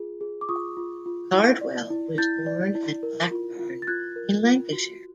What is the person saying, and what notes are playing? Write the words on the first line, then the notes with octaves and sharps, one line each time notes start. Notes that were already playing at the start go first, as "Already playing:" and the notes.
Cardwell was born at Blackburn in Lancashire.
Already playing: F4 G#4
G#4
D6
F4 C#6 D#6
F4
F4
E4
D5
E4
E4 G6 A6
D5
E4
A#4
F4
F4
A6
F4 F#6 G#6
A#4
F4
F#4